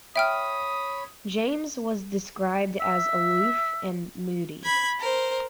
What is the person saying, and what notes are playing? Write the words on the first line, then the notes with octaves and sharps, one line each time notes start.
James was described as aloof and moody.
C#5 E5 G5 B5 D#6 F6
E5
B5 G#6
A#4 C5